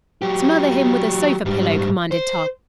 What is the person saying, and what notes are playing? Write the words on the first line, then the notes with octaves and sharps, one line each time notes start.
"Smother him with a sofa pillow!" commanded Tom.
F#3 G4
G#2 G3
C5